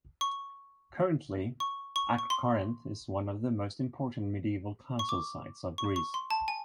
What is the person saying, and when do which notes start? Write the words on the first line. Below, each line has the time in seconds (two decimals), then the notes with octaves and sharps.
Currently, Acrocorinth is one of the most important medieval castle sites of Greece.
0.21 C#6
1.60 C#6
1.96 C#6
2.18 C#6
2.30 C6
4.99 C#6
5.09 D6
5.78 C#6
5.96 C#6
6.14 C6
6.31 A5
6.48 G#5